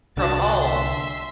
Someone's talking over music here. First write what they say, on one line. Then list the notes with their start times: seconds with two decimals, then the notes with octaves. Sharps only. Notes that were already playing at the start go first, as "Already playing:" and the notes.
from home
0.17 C2 D3 F#4 A5
0.61 E5 C6